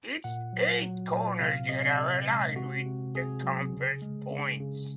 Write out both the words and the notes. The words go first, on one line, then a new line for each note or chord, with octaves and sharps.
Its eight corners are aligned with the compass points.
A#2 F#5
F#3
F#3
A#2
C3 F5
C3 D#5
C3
G#3
C3 F#4
C3
C3 G#4
F#3
C#3
G#3
C#3
C#3